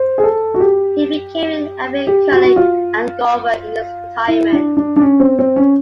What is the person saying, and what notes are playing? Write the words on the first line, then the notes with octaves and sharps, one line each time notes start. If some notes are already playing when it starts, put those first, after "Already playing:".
He became an avid curler and golfer in his retirement.
Already playing: C5
G#4
A4
F#4
G4
G4
F#4
F#4
F4
E4
D4
D4
D4
C#4
C4
C4
C#4